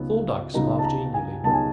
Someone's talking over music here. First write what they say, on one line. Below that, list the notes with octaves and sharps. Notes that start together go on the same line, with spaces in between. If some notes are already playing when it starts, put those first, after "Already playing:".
Thorndyke smiled genially.
Already playing: C#2 B2 F#3 B3 D#4
C#2 B2 F#3 B3 D#4 A#5
A5
A#5
G#5
C#2 B2 F#3 B3 D#4 A5
G#5